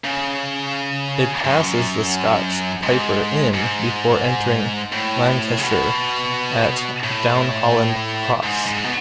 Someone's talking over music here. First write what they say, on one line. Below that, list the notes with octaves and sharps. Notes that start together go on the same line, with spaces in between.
It passes the Scotch Piper Inn before entering Lancashire at Downholland Cross.
C#3
F#2
G#2
G#2
A2
C#3
B2
A2
G#2
G#2
B2